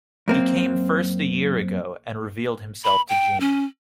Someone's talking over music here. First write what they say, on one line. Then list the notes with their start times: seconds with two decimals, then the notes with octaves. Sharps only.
He came first a year ago, and revealed himself to Jeanne.
0.28 F#2 A#3 C4
2.84 B5
3.09 G5
3.40 C#4